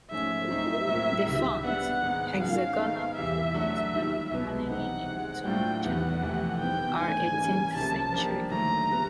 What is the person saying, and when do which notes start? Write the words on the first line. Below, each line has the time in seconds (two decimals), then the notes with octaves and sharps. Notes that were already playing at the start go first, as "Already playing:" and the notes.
The font, hexagonal pulpit and the panelling in the tomb chamber are eighteenth century.
0.11 G#2 F3 A3 C#4 E5
0.49 F#3 A3 C4 D#4
0.88 A2 F#3 A#3
1.25 C#2 C3 D#3 G3
1.64 G3 B3 D4 F#5
2.02 G#2 D#3 G#3 B3 D#4
2.40 D#3 G#3 C#4 F#4 F5
2.78 G#2 D#3 G#3 B3 D#4
3.16 E2 C3 E3 G3 E5
3.54 F#3 A3 D4 F#4 A4
3.93 D#2 D#3 G3
4.31 C2 B2 F#3 B3
4.69 C3 E3 G3 C4 D#4 F#5
5.07 C3 D#3 G#3 C4
5.46 A2 F#3 A3 D4 F4 G5
5.83 E2 C3 D#3 G3 B3 F#5
6.22 F2 C3 E3 A3
6.60 C3 D#3 G3 B3 G5
6.99 G#2 E3 A3 D4 G#5
7.37 E3 G3 A#3 C#4
7.75 C2 C3 F3 A#3 C#4 A5
8.13 F3 A#3 D4 G4
8.51 D#2 D3 F#3 A3 A#5
8.90 D3 G3 B3